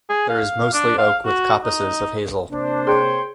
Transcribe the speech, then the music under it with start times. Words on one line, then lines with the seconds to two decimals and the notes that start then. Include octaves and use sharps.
There is mostly oak with coppices of hazel.
0.10 G#4
0.30 F5
0.73 D4
0.98 F5
1.25 F#4
1.64 D#4
2.50 C3 A#3 D4 C5
2.87 G#4 C#5 G5 C6